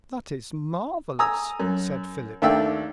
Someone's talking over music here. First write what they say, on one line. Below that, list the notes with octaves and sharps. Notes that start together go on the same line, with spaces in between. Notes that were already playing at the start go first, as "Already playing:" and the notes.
"That is marvelous!" said Philip.
G#5 A#5 D#6 E6
F#2
D#2 A3 D4 E5 G5 E6